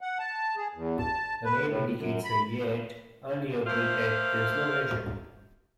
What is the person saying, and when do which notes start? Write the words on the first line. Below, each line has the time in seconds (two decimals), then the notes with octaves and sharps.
The name indicates a yet earlier bridge at this location.
0.01 F#5
0.19 A5
0.57 G#4
0.74 E2
0.99 A5
1.44 B4
1.67 A2
1.95 F#2
2.24 B5
3.67 A3 A#3 C5 F5